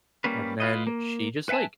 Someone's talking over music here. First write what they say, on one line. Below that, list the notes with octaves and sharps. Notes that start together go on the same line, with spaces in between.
and then she just, like,
G3 A#3 C#4 B4
F4 B4 D#5
A#3
B4 E5 F#5 G#5 A5